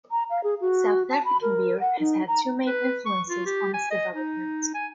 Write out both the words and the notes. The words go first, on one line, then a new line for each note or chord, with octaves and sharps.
South African beer has had two main influences on its development.
A#5
F5
G#4
F#4
A5
B5
A#4
F#5
D#4
A#5
B4
C#6
F4
G4
G#5
D#5
D#4
G#5